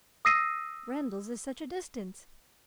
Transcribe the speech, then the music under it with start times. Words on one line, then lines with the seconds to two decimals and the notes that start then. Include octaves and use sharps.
Randalls is such a distance.
0.25 D#6 E6 A#6 C7 D#7